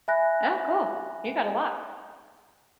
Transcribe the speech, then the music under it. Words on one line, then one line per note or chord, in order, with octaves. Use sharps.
Oh, cool. You got a lot.
E5 G#5 B5 F#6 A#6